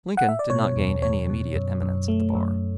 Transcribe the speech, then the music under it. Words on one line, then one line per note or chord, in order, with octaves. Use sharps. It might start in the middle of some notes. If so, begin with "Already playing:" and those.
Lincoln did not gain any immediate eminence at the bar.
F#5
E5
D5
B2 C#5
E2
E2 C#5
B2
F#2
F#2
A3
F#2